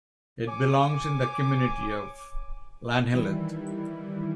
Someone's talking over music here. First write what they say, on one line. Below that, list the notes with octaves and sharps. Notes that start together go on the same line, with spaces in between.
It belongs in the community of Llanhilleth.
C#5 G#5 D6
D#3 E3 G3 E4